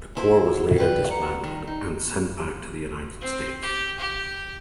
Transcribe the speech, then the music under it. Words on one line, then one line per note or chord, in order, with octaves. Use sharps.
The core was later dismantled and sent back to the United States.
D#2 E4 C5
F#4
G3 G4 B4
F#5 A#5
G2 D#3
D#4
C4
G4
G4